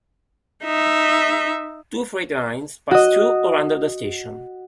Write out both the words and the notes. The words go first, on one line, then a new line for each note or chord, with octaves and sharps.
Two freight lines passed through or under the station.
D#4 E5
F#4 D#5